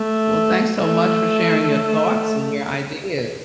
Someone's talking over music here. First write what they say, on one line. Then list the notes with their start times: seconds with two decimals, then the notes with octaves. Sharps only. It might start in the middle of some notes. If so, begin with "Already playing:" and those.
Well, thanks so much for sharing your thoughts and your ideas.
Already playing: A3
0.82 A3